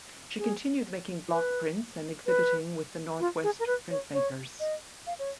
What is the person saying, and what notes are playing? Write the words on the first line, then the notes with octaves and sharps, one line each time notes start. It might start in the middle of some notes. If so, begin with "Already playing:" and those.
She continued making block prints and exhibiting with the Northwest Printmakers.
G#4
B4
B4
F4
G#4
A#4
B4
C#5
C#5
D#5
F5
C#5